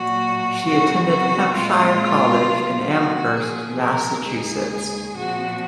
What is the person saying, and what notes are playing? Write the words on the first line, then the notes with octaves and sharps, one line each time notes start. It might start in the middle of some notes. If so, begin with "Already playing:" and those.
She attended Hampshire College in Amherst, Massachusetts.
Already playing: A#2 F#3 A#3 F#4
F#2 C#3 F#3 C4 F#4
F#4
A#2 G#3 C4 F4
C3 F#3 A#3
F#4
A#2 F3 A#3 G#4
A#4
D#2 C#3 G#3 G#4
A#2 F3 C4 F#4